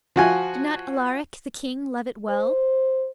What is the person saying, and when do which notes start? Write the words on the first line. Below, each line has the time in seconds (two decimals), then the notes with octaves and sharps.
Did not Alaric the king love it well?
0.16 F3 F#4 G#5
2.30 C5